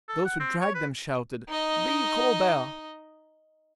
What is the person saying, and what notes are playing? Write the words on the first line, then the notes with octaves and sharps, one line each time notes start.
Those who dragged them shouted, "Vive Colbert!"
A4
F#5
C4
C#5
B4
D#4 D#5